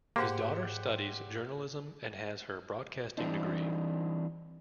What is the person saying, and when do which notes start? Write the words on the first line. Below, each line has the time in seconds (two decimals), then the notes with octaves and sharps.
His daughter studies journalism and has her broadcasting degree.
0.16 G#2 A#3 G4 C5 F#5 C6
3.18 E3 G3 C4 D4 D#4